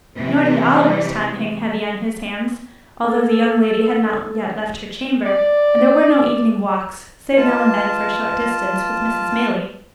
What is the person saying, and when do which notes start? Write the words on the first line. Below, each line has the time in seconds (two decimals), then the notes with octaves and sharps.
Nor did Oliver's time hang heavy on his hands, although the young lady had not yet left her chamber, and there were no evening walks, save now and then, for a short distance, with Mrs. Maylie.
0.16 C3 E3 C4
3.04 A4
5.25 D5
7.37 F4 B4 D#5 A5